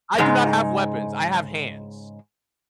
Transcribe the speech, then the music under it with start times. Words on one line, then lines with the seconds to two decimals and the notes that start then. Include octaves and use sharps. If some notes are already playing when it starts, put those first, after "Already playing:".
I do not have weapons, I have hands."
0.18 G#2 C#3 G#3 D#4